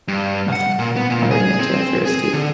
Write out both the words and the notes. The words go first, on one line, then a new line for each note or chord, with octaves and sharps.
"Nothing," muttered Mitya, through his teeth.
G2
F#5
A#2
B3
A#2
G#4
C4
G#4
D3